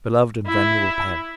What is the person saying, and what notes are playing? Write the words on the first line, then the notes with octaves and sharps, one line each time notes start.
Beloved and venerable parent!
E4